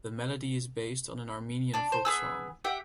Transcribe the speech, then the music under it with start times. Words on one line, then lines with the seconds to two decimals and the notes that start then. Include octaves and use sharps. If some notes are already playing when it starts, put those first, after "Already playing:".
The melody is based on an Armenian folk song.
1.74 D4 D5
1.92 C5
2.05 B3 G#4 E6
2.64 G4 E5 F#5 G5